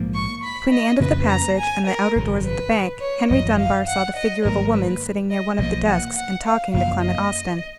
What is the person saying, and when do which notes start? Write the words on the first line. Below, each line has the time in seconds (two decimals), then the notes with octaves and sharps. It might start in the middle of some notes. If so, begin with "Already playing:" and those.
Between the end of the passage and the outer doors of the bank, Henry Dunbar saw the figure of a woman sitting near one of the desks and talking to Clement Austin.
Already playing: A#1 G#2 F3 A#3
0.14 C#6
0.43 B5
0.72 D#5
1.00 F2 C#3 F3 A#3 B4
1.29 A#5
1.58 G#5
1.87 A#4
2.16 G#1 F#2 C#3
2.44 B4
3.01 C#5
3.30 G#1 F#2 F3 D#5
3.58 F5
3.87 F#5
4.16 D#5
4.45 G#1 G#2 F#3 A#3 A#4
4.73 B4
5.31 D#5
5.58 B1 A#2 F3 A#3 D#5
5.88 F#5
6.16 F#5
6.45 F5
6.73 F#1 F#2 F3 A#3 F5
7.02 D#5